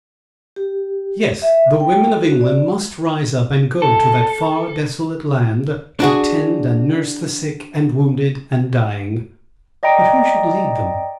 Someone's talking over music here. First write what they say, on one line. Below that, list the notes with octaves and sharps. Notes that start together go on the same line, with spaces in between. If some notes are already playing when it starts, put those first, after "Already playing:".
Yes, the women of England must rise up and go to that far, desolate land to tend and nurse the sick and wounded and dying; but who should lead them?
G4
E5
G5
A4
F#4
D5
A4
D4 F#4 G#4
D5 D#5 G5 A#5 D7